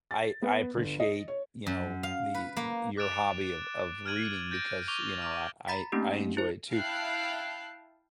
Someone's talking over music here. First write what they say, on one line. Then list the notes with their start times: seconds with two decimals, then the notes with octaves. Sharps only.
I I appreciate, you know, the your hobby of of reading because, you know, I I I enjoy it, too.
0.11 A6
0.42 B3
0.76 G1
1.00 D#5
1.28 C#5
1.67 F#2
2.03 F5
2.35 B4
2.57 A#3
2.97 D6 F#6 A6 D7 E7 F7
4.06 F6 F#6 G#6 D#7 F#7
4.51 G6 A6 A#6 D7
4.88 C#6 D6 F7 G7
5.22 C#6 D6 F6
5.68 A#5 B5 A6 B6
5.92 A3 A#3 C4 C#4 D#4 G4
6.37 E4 C5
6.72 E4 F5 G5 A5 F#6 C7